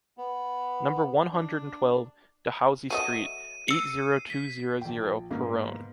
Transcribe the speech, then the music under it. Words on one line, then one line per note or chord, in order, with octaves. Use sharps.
Number one-hundred-and-twelve, Dehaussy Street, eight-zero-two-zero-zero, Péronne.
B3
D4
F#3 A3 D#5 D#7
E6 C7 C#7
B6
A#1 G5
G#2 A#3 B3